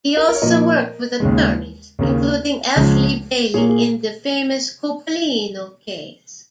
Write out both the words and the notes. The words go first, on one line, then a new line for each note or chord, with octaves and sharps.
He also worked with attorneys, including F. Lee Bailey, in the famous Coppolino case.
A#4 D#5
A#4
C#5
A#2 F3 A#3 A#4 D#5
D#2 C#3 G#3
D#2 C#3 A#3
C#2 C#3 F3 G#3
A#2 A#3 G#4 C#5
G#4